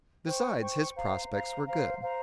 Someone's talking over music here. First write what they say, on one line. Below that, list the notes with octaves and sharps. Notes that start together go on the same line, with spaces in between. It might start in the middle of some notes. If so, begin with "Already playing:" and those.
Besides, his prospects were good.
C5 G5 C#6
C5 G5 C#6
C5 F5 A#5
C5 F5 A#5
C5 F5 A#5
C5 F5 A#5